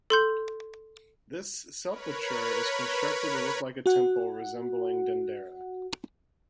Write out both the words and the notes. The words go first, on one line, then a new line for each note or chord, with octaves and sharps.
This sepulchre is constructed to look like a temple, resembling Dendera.
A4 C6 G6
A#4 B4 C#5 B5
F#4 F#5